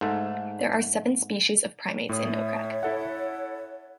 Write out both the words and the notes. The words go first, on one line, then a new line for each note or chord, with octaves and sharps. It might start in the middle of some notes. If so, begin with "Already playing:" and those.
There are seven species of primates in Nokrek.
G#2 A3
A2 C#5 E5 D#6
E4 A4 F#5